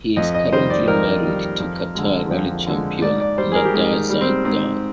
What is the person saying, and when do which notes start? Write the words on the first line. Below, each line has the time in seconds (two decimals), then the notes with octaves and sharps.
He is currently married to Qatar rally champion Nada Zeidan.
0.16 F2 D#5
0.35 D#5
0.52 D#3 G3 C5
0.70 D5
0.88 F2 A#4
1.24 D#3 G3
1.60 F2
1.95 D3 G#3
2.31 F2
2.67 D3 G#3
3.02 G#2 D5
3.20 D5
3.38 G3 C5
3.52 G#4
3.55 A#4
3.65 G4
3.74 G#2 G#4
4.10 G3
4.21 C4
4.45 G#2 C4